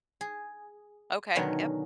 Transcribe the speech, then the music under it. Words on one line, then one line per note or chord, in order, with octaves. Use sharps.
Okay, yup.
G#4
B2 D3 D#3 F#3 B3 C#4